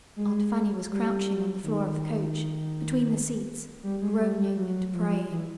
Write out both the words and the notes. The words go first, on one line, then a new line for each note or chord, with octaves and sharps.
Aunt Fanny was crouching on the floor of the coach, between the seats, groaning and praying.
G#3
G3
D#3
G3
G#3
G3
G3
F#3
F3
E3